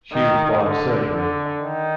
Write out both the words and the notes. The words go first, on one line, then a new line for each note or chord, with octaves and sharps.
She required surgery.
D#3
D3
D3
D#3